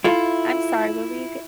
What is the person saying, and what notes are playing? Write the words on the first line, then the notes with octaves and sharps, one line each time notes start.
I'm sorry, what were you g
E4 F4 A4